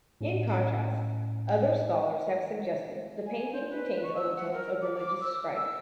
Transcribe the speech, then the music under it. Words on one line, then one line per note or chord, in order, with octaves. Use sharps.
In contrast, other scholars have suggested the painting contains overtones of religious strife.
A2 C#4
G#5
C5
B4
C#6
E6
F#5
A#4
D6
D6
E6
E6